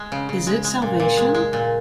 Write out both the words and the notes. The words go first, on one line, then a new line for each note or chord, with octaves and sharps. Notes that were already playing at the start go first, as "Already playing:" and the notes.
Is it salvation?
Already playing: G#3
C#3
C#3
G#3
G#3
A#2
A#2
G#3
G#3
A#2